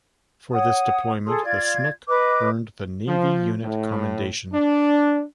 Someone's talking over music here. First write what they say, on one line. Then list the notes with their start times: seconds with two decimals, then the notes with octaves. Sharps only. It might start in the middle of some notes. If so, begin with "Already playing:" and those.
For this deployment the "Snook" earned the Navy Unit Commendation.
0.52 C#5 F#5 D#6
1.26 G#4 A4 C6 D#6
1.45 F4 D5 G#6
2.07 B4 D#5 D6
3.07 F3
3.63 A2
4.53 D4